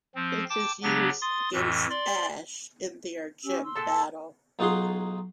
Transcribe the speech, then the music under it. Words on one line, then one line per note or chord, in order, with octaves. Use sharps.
It is used against Ash in their gym battle.
F3 C4
G5 A5 D6
C#3 F#3 B3 D4 G4
C6 D#6 A6
F2 A2 E3
D5 C6
C#4 G4 E6
C6 E6
A#2 A4 A5
B1 D#4 F4 F#4 G#4 C6